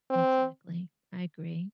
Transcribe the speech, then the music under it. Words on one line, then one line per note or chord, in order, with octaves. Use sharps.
Exactly. I agree.
C4